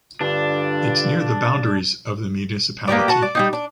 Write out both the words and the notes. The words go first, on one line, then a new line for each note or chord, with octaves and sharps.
It’s near the boundaries of the municipality.
G2 D3 D4 F4 A4
A#3 B3 G4 D5
F#4 A5
D5
G3 C4 D#4
D4